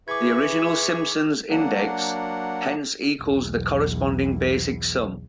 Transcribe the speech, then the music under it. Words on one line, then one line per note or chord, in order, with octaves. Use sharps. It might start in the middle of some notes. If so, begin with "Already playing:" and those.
The original Simpson's index hence equals the corresponding basic sum.
E3 G#4 B5 C#6 D6 G#6
F#3 A#3 D4 F#5
B1 E2